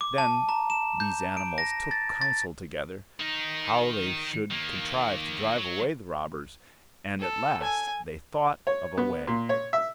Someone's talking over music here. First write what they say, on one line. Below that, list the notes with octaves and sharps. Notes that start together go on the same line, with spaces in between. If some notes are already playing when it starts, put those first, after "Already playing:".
Then these animals took counsel together how they should contrive to drive away the robbers, and at last they thought of a way.
D6
A5
A#5
E7
G6
D7
A#6
A6
A6
D#3 D#4
D#3 A#3
F#3
A4
G#5
C#5
B3
A#2
C#5
E5